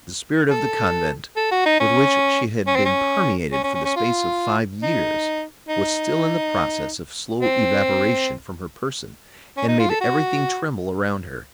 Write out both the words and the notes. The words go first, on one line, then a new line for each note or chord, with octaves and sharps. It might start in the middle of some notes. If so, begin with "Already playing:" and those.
The spirit of the convent, with which she had been permeated for the space of five years, was still in the process of slow evaporation from her person, and made everything tremble around her.
A4
A4
F#4
D#4
C#4
C#4
C4
C#4
C#4
C#4
C#4
C#4
F4
D#4
D#4
C4
C#4
D#4
F4
A4
F#4